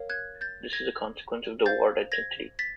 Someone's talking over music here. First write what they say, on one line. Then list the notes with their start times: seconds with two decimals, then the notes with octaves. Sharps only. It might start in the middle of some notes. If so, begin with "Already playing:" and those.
This is a consequence of the Ward identity.
Already playing: A#4 C#5 F5
0.10 F#6 G#6
0.41 G6 A6
0.73 G#6 A#6
1.66 C5 F5 G6 A6
2.12 G#6 A#6
2.59 A6 B6